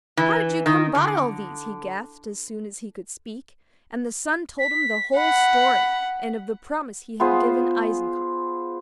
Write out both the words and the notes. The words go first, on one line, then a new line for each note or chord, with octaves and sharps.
'How did you come by all these?' he gasped, as soon as he could speak; and the son told him the whole story, and of the promise he had given Eisenkopf.
E3
D#3
D3
B6
F#5 B5
B3 F4 G#4 C5